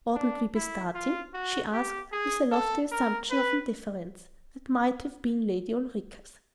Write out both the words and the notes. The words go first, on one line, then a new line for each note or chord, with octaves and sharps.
"Oughtn't we be starting?" she asked, with a lofty assumption of indifference that might have been Lady Ulrica's.
D4
E4
F4
F#4
G4
G#4
A4
A#4
B4